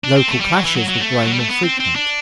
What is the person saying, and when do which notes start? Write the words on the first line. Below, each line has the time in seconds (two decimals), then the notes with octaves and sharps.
Local clashes were growing more frequent.
0.04 D4
0.17 C4
0.28 A3
0.40 G3
0.52 F#3
0.65 E3
0.76 F#3
0.88 F#3
1.00 A3
1.22 F#3
1.32 G3
1.40 A3
1.48 B3
1.64 C4
1.80 C4
1.96 D4